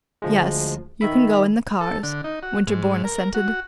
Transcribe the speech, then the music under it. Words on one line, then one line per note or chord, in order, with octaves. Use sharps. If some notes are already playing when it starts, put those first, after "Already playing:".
"Yes; you can go in the cars," Winterbourne assented.
D2 F3 G#3
D#3 E5 B5
A4
D3
D#4
F#4
G#2
A#4
F#4